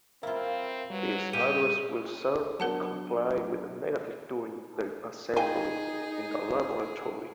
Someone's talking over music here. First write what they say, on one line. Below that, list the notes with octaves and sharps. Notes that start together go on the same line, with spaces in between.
These addresses will serve to comply with the negative during their assembly in the laboratory.
C4 E4 F4 A#4 E5 F5
F#3 G3 B4
A#2 G4 D#7
F#3 B3 D4 A#4 F#5 A5
D#4 G#4 F5 G5 G#5